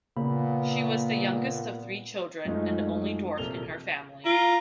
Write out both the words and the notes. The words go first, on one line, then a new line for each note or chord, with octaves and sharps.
She was the youngest of three children and the only dwarf in her family.
A#2 C#3 A#3 B3 B5
F#2 F3 G#3 A3 D#4
A#1 C3 A4 A#4 F7 G7
F4 A#5